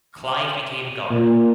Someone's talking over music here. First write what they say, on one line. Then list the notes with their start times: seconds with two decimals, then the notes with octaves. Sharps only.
Clive became governor.
1.10 A#2